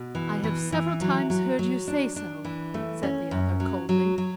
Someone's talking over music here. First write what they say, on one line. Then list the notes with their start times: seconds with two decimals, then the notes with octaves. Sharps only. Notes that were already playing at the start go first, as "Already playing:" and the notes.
"I have several times heard you say so," said the other, coldly.
Already playing: B2
0.15 E3
0.43 E3
0.72 E3
1.01 F#3
1.30 F#3
1.59 F#3
1.88 D4
2.16 D4
2.44 E3
2.74 A3
3.03 C#4
3.31 F#2
3.60 F#3
3.89 F#3
4.18 F#3